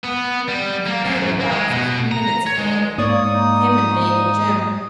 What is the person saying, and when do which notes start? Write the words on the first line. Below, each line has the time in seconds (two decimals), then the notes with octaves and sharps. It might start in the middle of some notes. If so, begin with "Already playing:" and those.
He beat it about fifteen minutes ago, him an' Dago Jim.
0.04 B3
0.49 G3
0.87 A#3
1.06 F#2
1.40 A#3
1.52 G#3
1.71 B2
2.12 A#5
2.47 C#5
2.58 G#3
2.98 G#2 A#3 C#5 D5 C#6 D#6
3.33 D#4